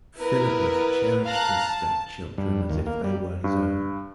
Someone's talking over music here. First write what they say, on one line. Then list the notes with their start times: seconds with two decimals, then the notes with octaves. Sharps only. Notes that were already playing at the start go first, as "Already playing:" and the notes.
Philippus cherished his stepchildren as if they were his own.
0.19 B3 E4 A#4 B4
1.25 F5 A5 A#5 F#6
1.65 A5
2.38 G2
2.70 D#2
2.86 A#3
3.04 G3
3.44 G2